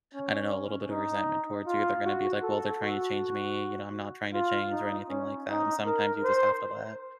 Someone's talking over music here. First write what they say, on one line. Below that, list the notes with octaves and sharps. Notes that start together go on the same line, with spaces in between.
I don't know, a little bit of resentment towards you, they're gonna be like, "Well, they're trying to change me, you know, I'm not trying to change or anything like that," and sometimes you just have to let,
C#4
D#4
F4
F#4
A4
F#4
F4
D#4
C#4
D#4
A#4
C5